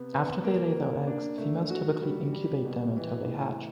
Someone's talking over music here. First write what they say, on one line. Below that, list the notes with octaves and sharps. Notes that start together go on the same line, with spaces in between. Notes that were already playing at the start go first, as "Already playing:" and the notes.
After they lay their eggs, females typically incubate them until they hatch.
Already playing: C3 B3
B3
A#3
A#3
D4
A3
F#4
G3
G3
B2
E3
A2